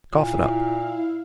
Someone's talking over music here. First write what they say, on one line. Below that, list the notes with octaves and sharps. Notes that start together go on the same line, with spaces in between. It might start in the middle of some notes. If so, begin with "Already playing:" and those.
Cough it up.
A#2 E4 F5